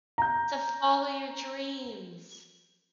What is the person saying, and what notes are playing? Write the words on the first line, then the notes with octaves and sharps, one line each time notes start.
To follow your dreams.
A#5 G6